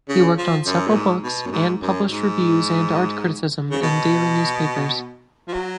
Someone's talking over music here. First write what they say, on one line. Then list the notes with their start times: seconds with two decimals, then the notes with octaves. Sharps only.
He worked on several books and published reviews and art criticism in daily newspapers.
0.09 C#3
0.38 F3
0.66 F#2
0.87 A#2
0.95 G#2
1.23 B2
1.46 F#2
1.52 G#2
1.81 F#2
2.10 G#2
3.71 C#3
3.82 B2
5.48 F3
5.53 F#3